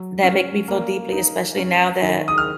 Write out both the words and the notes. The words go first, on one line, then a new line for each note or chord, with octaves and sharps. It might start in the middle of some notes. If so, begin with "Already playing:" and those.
that make me feel deeply, especially now that,
Already playing: F#3
C#4
A#3
D#4
C#4
D#3
D#6
F6